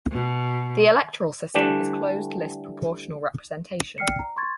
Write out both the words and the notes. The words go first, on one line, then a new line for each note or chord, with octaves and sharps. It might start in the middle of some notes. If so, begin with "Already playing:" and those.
The electoral system is closed list proportional representation.
B2
D3 E3 G3 A3 D4 G4
D5 G5 F6 C7 C#7
A#5
C6 C#6 G#6 A6